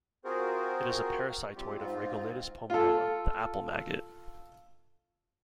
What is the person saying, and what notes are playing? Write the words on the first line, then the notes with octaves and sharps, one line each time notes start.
It is a parasitoid of "Rhagoletis pomonella", the apple maggot.
C4 F4 F#4 G#4 A#4 C5
G3 C4 F4 G4
G#2 C4 F4
F4 A4